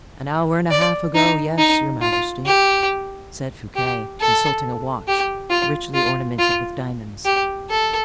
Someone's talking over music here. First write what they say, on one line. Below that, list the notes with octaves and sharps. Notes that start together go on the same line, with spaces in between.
"An hour and a half ago, yes, your majesty," said Fouquet, consulting a watch, richly ornamented with diamonds.
D5
D#4
D#4
F4
G4
G4
A4
G4
F4
F4
F4
G4
A4